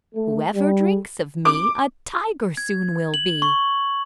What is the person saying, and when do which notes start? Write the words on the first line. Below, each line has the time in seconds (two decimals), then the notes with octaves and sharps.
"Whoever drinks of me, a tiger soon will be."
0.14 A3
0.55 G3
1.45 D6
2.57 G#6
3.14 F#7
3.42 C#6